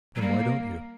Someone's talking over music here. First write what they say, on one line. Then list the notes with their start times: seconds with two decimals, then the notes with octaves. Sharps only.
'Then why don't you?
0.16 F#3
0.21 G3 A#3